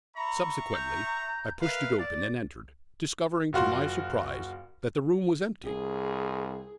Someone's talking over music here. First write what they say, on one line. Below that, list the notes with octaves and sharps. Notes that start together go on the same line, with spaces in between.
Subsequently I pushed it open and entered, discovering, to my surprise, that the room was empty.
E5 A#5 B5 C#6
G6
A#4 B4 E5 F5
D5 A6
F#1 F4 F#4 C6
C2 G#4